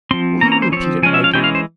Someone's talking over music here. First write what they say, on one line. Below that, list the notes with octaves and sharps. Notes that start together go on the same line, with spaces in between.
Will you repeat it, my dear?'
F3 C4 C6
E3 A#3 C#4 A#5
A#5
C5
F3 C4 C#5
F3 G#3 C#4 G#5
E5
F5
E3 G#3 C#4 G5
F5
C5